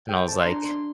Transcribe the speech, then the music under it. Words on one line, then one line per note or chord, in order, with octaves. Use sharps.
and I was like
A4 G5
C5 A5
C6
D4 A#5
D4 C6